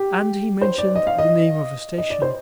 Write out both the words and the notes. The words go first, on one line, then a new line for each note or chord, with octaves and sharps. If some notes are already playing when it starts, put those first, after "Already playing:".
And he mentioned the name of a station.
Already playing: G4
C5
D5
D#5
F5
D#5
D#5
D5
C5